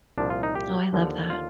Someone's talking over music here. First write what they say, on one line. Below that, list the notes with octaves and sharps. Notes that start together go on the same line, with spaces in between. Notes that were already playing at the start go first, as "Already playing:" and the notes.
Oh, I love that.
C2 A#2 F3 D4
F4
D#4
G4
D#2 D3 F3
F4